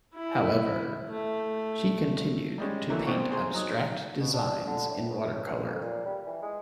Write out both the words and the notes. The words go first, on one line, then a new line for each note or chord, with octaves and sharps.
However, she continued to paint abstract designs in watercolour.
E4
A3
G3 G#3 C#4
E3 F#3 A3 A#3
C2 B2 C4 C#6
G#4 C5 G#5 A#5
F#3 D#4 D#6
B2
D4
D3
A2
C#2
C#2
F2
A#2
G3
E3
G#3